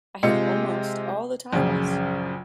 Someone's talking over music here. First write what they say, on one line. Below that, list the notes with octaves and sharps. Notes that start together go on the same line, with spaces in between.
I have almost all the titles.
C3 G#3 F4 C#7
A#1 F#2 C#3